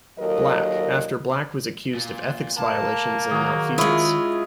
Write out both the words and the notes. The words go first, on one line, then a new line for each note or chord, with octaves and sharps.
Black, after Black was accused of ethics violations and malfeasance.
D#2 A#2 F#3 A4 A#4 D#5
A#2
A#3 A5
D#3 F#3 G#4
G#3 C#4 E4 F4 G#4